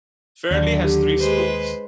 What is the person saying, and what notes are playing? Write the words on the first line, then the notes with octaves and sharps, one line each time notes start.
Fairlie has three schools.
D#2 D3 F#3 D5
G4
G#3 B4 C5